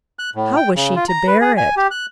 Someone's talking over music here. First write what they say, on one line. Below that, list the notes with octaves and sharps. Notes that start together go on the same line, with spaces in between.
How was she to bear it?
F#6
A2
G5
C#3
F4
A#5
B4
G#4
G#5
G4
F#6